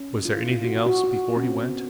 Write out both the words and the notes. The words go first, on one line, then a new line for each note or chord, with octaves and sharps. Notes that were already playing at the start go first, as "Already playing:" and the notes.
Was there anything else before he went?
Already playing: C#4
F4
E4
F4
F#4
F#4
F#4
C#4
C4
B3